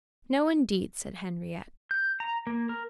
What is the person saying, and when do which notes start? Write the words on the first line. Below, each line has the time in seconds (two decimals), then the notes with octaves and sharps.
"No, indeed," said Henriette.
1.91 G6
2.20 A#5
2.47 A#3
2.69 A#4